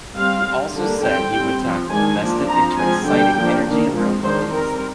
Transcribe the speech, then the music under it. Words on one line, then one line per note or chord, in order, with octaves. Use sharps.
He also said he would tackle "vested interests", citing energy and rail companies.
G3 C4 F5
G3 C4
D3 G3 A#3 D4
G3 C4 G5
G3 C4 G5
F3 C4
D#3 G#3 D4 G#5
F3 A#3 D4
F3 C4 A#5
F3 G#3 C4 G#5
D3 G3 A#3 D4 G5
F3 A#3 D4
D#3 A#3 D4
F3 G#3 C4
D#3 G#3 D4 C5
G3 C4 A#4